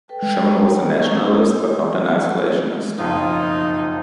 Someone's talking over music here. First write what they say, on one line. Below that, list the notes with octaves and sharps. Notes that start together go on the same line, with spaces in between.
Sherman was a nationalist, but not an isolationist.
A4 B4 G5
G#3
F#4
A#3 C#4 A4
A#4 E6
G#3 G4
F#1 B1 F2 D#4 F4